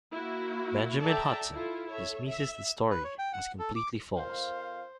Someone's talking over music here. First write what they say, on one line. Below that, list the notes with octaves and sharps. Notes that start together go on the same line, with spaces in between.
Benjamin Hudson dismisses the story as "completely false".
A#3 E4 F#4
A4 D5 E5 G5 A5 A#5
E4 F4 A4
A4 C#5 E5
E5
B4
C#5
G5
F#5
A4
D6
F2 A#4 C5 F5